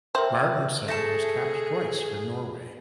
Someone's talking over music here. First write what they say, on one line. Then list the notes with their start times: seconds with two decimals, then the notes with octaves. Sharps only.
Martinsen was capped twice for Norway.
0.15 A#4 C5 E5 G5
0.88 A3 G#4 A5 A#6 C#7